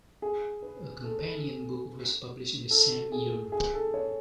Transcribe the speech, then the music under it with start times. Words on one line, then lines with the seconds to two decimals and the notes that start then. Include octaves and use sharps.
A companion book was published in the same year.
0.22 G#4
0.62 B4
1.04 A4
2.71 A4
3.12 G#4
3.52 G#4
3.74 A4
3.94 C#5